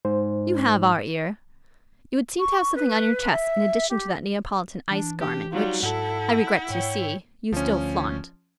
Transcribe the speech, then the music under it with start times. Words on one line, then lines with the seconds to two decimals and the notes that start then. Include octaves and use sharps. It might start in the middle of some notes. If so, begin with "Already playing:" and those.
'You have our ear. You would seem to have something on your chest in addition to that Neapolitan ice garment which, I regret to see, you still flaunt.
0.05 G#2 C5
2.39 C#6
2.75 B4
3.31 E5
3.89 G4
4.91 E3 D4
5.20 D4 G4
5.52 F#3 G3 D#4 F4
5.83 G#2 E4 A4 F#5
6.70 G#2 C#5 G5
7.53 D2 F3 C#4